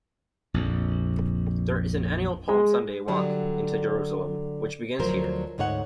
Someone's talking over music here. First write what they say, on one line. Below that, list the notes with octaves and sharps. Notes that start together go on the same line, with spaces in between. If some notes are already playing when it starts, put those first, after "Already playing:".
There is an annual Palm Sunday walk into Jerusalem which begins here.
A#1 F2
G#3
D3 F#3 G3
D2 F3 F#3 A#4 C5
D2 G#2 D#4 C#5 F#5